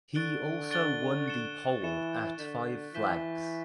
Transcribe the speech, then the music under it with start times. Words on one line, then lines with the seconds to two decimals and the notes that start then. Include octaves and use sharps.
He also won the pole at Five Flags.
0.14 D3 C#6 F#6 A6 D7 G7
0.70 C#6 F#6 A6 D7 G7
1.26 A6 C#7 E7 G7
1.82 E3 A6 C#7 E7 G7
2.38 D3 C#6 G6 B6 E7 G7
2.94 E3 C#6 G6 B6 E7 G7